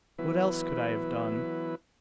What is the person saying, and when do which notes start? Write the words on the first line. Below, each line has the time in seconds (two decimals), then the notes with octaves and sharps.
What else could I have done?
0.19 E3 F#3 B3 E4 B4